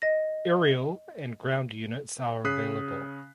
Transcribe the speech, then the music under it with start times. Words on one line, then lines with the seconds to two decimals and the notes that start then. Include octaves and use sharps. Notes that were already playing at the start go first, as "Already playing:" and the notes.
Aerial and ground units are available.
0.02 D#5 A#6
2.44 C#3 C#5 D#6 F#6 B6 C7